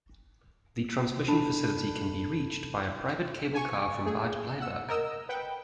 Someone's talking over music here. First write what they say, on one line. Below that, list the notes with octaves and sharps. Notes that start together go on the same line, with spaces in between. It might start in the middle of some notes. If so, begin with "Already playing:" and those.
The transmission facility can be reached by a private cable car from Bad Bleiberg.
D4 A4 A5 B5
G#5 C#6
A3 G#4
F#5 E6
A#4 D#5 E6
B4 F#5 G5